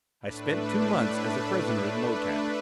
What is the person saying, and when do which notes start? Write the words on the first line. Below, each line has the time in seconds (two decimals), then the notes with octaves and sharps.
I spent two months as a prisoner in Lo-Tan.
0.21 A2 A3 D4 B4
1.87 A3 D4 B4